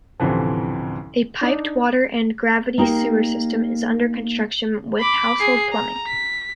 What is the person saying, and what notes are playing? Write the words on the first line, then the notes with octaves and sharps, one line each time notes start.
A piped water and gravity sewer system is under construction, with household plumbing.
A1 D2 C3 E3 F3
D4 D#4
A#3 D#4 G4 A#4
B5 D6
G#4 C7
A#5
B6